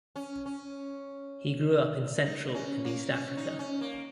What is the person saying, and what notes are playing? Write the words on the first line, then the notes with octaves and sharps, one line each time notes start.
He grew up in Central and East Africa.
C#4
C#4
D#4
C#4
A#3
C#4
D#4
C#4
A#3